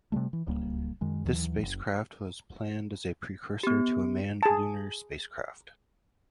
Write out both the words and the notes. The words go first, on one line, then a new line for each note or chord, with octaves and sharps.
This spacecraft was planned as a precursor to a manned lunar spacecraft.
C3 E3 G3 A3
E3
D1 C#2 G3 A#3
F#2 D#3 G#3
D#2 E3 F#3
F#1
B3 G4
G#4 A5